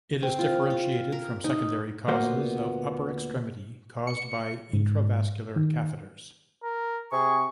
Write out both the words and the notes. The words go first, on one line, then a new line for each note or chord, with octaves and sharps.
It is differentiated from secondary causes of upper extremity caused by intravascular catheters.
C4
F4
F4
A#4
D#4
D2 A#2 A#3 B3 F#4 C5
C#7
G#2
D#3
A#4
C3 G#4 C#6